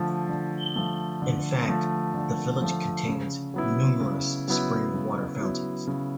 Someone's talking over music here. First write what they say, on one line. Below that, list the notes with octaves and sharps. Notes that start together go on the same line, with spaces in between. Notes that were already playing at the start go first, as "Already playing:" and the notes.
In fact the village contains numerous spring water fountains.
Already playing: D3 F3 A3
D3
F3 A3
D3
F3 A3
D3
F3 A3
C#3
F#3 B3 E4
C#3
F#3 B3 E4
C#3
F#3 B3 E4
C#3